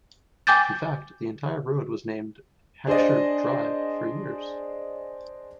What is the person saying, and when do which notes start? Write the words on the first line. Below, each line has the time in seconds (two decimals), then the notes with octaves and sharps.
In fact, the entire road was named Heckscher Drive for years.
0.47 G5 G#5 D6 G6 A6
2.87 D4 G#4 C5 D5 D#5